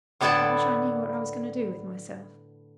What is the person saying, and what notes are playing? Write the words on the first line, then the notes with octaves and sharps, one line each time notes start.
"I wish I knew what I was going to do with myself."
A2 D3 B3 E4 D5 A5